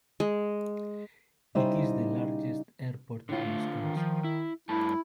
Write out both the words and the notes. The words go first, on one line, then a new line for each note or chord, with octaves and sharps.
It is the largest airport in Wisconsin.
G#3
C#3 G3 D#4 E4 G4 C5
A2 D3 F4
A3
D#3
F3
E4
G2 A3 E4 A5